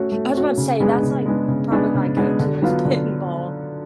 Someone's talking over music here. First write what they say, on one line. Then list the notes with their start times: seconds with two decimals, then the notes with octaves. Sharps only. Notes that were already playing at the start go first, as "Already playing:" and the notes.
I was about to say that's, like, m probably my go to is pinball.
Already playing: A3 C#4 F#4
0.12 A3
0.34 C#4 F#4
0.57 C#3
0.80 G#3 B3 D4 G#4
1.03 C#3
1.26 G#3 B3 D4 G#4
1.48 C#3
1.71 G#3 B3 D4 G#4
1.95 C#3
2.17 G#3 B3 D4 G#4
2.39 D3
2.62 F#3 B3 F4
2.85 D3